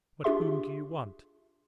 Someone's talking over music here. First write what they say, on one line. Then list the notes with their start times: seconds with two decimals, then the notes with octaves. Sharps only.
But whom do you want?
0.24 D4 F4 G4 G#4 E5 C6